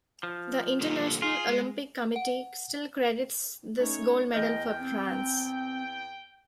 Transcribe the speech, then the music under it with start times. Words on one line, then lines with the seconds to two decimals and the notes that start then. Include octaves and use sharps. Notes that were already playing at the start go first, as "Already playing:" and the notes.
The International Olympic Committee still credits this gold medal for France.
0.23 F3
0.81 A#2 D3 G3
1.22 F4 G#4
1.48 G#3
2.16 F#5
3.79 A3 C#4 D#4 C#5
4.34 E2 D#5 G5 F6 G6
4.80 C4